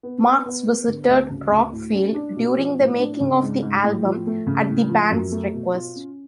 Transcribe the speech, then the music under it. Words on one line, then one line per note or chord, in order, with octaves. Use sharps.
Marks visited Rockfield during the making of the album at the band's request.
B3
B3
B3
B3
D3
D2
C#3
D2
A2
C#4
D4
B2
F3
A2
D4
C#3
G#2
G#2
A2
F3
A3
C#3
A2
F3
F#2
A3
B2
F4
C#4